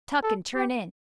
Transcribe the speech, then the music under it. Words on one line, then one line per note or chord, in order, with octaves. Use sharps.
Tuck and turn in.
A4
G4